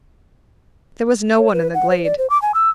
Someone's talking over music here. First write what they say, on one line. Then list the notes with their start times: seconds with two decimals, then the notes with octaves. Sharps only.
There was no one in the glade.
1.39 C#5
1.53 B4
1.74 F#5
1.90 C5
2.04 D5
2.18 C5
2.30 D6
2.42 G#5
2.54 E6